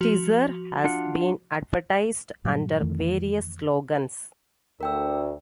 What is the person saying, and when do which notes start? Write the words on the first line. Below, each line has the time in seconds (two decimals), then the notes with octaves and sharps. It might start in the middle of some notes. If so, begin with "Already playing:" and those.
Tizer has been advertised under various slogans.
0.01 F3 F#4 F7
0.84 D4 F4 F#5
2.44 G2 A#2 F#3 G3
2.80 F2 D#3 E3 A3
4.81 D2 A#4 G5 E6